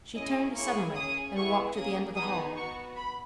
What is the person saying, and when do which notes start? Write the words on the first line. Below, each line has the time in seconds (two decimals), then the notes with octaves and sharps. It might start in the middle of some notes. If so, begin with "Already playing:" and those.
She turned suddenly and walked to the end of the hall.
0.16 C#4 E4 G#4 D#5
0.56 A#3 C#4 E4 G#4 C#6
0.95 C#4 G#4 D#6
1.36 B3 E4 G#4 C#6
1.75 A#3 C#4 G#4 D#6
2.15 B3 D#4 G#4 D#6
2.55 B3 F#4 C#6
2.95 B5